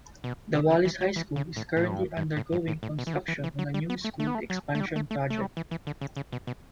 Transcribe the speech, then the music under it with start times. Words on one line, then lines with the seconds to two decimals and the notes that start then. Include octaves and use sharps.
The Wallace High School is currently undergoing construction on a new school expansion project.
0.24 B2
0.55 C#3
0.70 D3
0.85 E3
1.01 F#3
1.16 E3
1.36 C#3
1.56 A2
1.77 A2
1.90 G2
2.17 G2
2.37 A2
2.52 G2
2.68 A2
2.83 A2
2.99 B2
3.07 E3
3.13 D3
3.28 E3
3.44 E3
3.59 F#3
3.74 G3
3.90 B3
4.04 A3
4.20 A3
4.27 B3
4.35 A3
4.50 F#3
4.75 A3
4.80 G3
4.96 A3
5.11 A3
5.30 A3
5.41 G3
5.57 E3
5.71 E3
5.87 D3
6.01 C#3
6.17 C#3
6.32 B2
6.47 B2